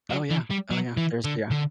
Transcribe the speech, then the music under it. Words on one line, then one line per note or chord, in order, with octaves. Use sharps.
Oh, yeah. Oh, yeah. There's Yeah.
F#3
E3
G3
F#3
E3
D3
D3